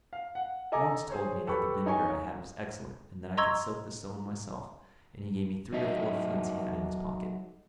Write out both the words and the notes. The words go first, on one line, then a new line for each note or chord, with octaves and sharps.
Lawrence told me that the vinegar I had was excellent, and that I could soak the stone myself, and he gave me three or four flints he had in his pocket.
F5
F#5
A4 D#5 G#5 A#5 D6
G#4 C5 C#5
G4 A4 B4 B5 C#6
D#4 C#5 G#5 C#6
D#5 A#5 C6 C#6 E6 G#6
F#3 D#4 D#5 E5